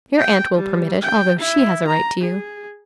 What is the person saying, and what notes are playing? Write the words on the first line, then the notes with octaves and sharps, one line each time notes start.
Your aunt will permit it, although she has a right to you.
G5
G3
G5
E4
A#5
G#4